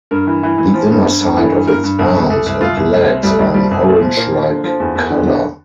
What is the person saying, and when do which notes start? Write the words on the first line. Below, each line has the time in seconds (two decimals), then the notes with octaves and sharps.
The inner side of its arms and legs are an orange-like color.
0.11 G2 A#4
0.27 E3
0.43 E3
0.58 E3
0.74 F3
0.90 G2
1.06 G2
1.21 G2
1.37 E3 A4
1.52 G2
1.67 G2 A#4
1.84 G2
1.98 C2 A#4
2.14 C2
2.30 C2 A4
2.46 C2
2.61 C2 F4
2.77 C2
2.93 C2 A3
3.09 C3
3.23 C2 G3
3.31 A3
3.39 C2 G3
3.54 F3 G3
3.71 C2
3.86 A#2 A3
4.01 F3
4.17 A#2 A#3
4.32 F3
4.48 D3
4.64 F3
4.80 E2
4.95 E2
5.10 D3
5.27 D3